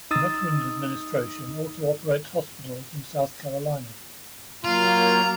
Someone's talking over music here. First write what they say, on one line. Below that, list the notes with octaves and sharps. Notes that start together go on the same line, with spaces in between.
The Veterans Administration also operates hospitals in South Carolina.
D#4 D#6 E6 A6
F#3 A#3 F4 A#5